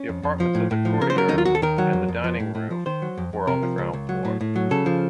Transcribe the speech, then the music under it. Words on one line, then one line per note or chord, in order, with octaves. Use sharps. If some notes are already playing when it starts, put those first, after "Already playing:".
The apartments of the courtiers and the Dining Room were on the ground floor.
Already playing: C#4
F2
F2
F3
A2
A2
F3
C#3 A#4
C5
F#3 A#4
D#2 D#4
F4
D#2 F#4
A4
D#3 A#4
F#3
F2
F2
F3
A2
A2
F3
D#3 C5
F#3
F2
F2
C3 A#4
F3
C#2
C#2
F#3
A2
A2
F#3
C#3 A4
F3